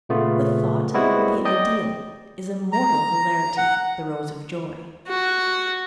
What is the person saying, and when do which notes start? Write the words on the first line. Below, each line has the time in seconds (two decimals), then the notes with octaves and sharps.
With thought, with the ideal, is immortal hilarity, the rose of joy.
0.09 A#2 C#3 A3 B3 F4
0.94 G3 G#3 B3 C4 E4 F#4
1.45 D5 D#5 G5
2.72 A#5
3.57 F#5
5.08 F#4